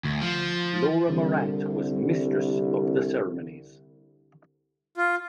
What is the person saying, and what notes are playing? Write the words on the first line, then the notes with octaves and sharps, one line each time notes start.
Laura Morante was mistress of the ceremonies.
D2
F3
C2 D3
F4